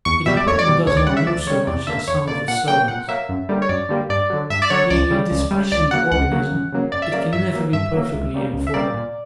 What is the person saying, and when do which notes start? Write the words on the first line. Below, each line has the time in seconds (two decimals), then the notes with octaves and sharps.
A department does not know so much as some of its servants. Being a dispassionate organism, it can never be perfectly informed.
0.05 E2 C#6
0.26 B2 G3 E5
0.37 D5
0.46 E2 C#5
0.59 D5
0.66 B2 G3
0.87 D2 C#5
0.97 D5
1.07 C#3 G3 F#5
1.17 E5
1.27 D2 D5
1.47 C#3 G3 C#5
1.67 E2 D5
1.87 D3 A#3 E5
2.08 E2 C#5
2.28 D3 A#3 D5
2.48 A#2 F#5
2.68 F#3 A#3 G5
2.88 A#2 F#5
3.08 F#3 A#3 E5
3.29 F#2
3.49 D3 G3 A#3
3.62 C#5
3.69 F#2 D5
3.89 D3 G3 A#3
4.09 G2 D5
4.30 D3 F#3
4.50 G2 E5
4.62 D5
4.70 D3 F#3 C#5
4.90 C#2 D5
5.10 C#3 G3
5.31 C#2
5.51 C#3 G3
5.72 C#2 D5
5.91 C#3 F#3 A#3 F#5
6.11 C#2 F#5
6.32 C#3 F#3 A#3
6.52 F#2
6.72 C#3 F#3 A#3
6.92 F#2 D5
7.02 E5
7.12 C#3 F#3 A#3 D5
7.33 G2 E5
7.53 F#3 A#3
7.73 G2 E5
7.93 F#3 A#3
8.14 C#2
8.34 C#3 G3 A#3
8.54 C#2
8.67 E5
8.74 C#3 G3 A#3 D5
8.94 A#2